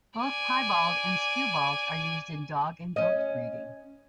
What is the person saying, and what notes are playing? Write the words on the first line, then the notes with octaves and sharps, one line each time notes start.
Both "piebald" and "skewbald" are used in dog and goat breeding.
D5 G#5
C#4 D#5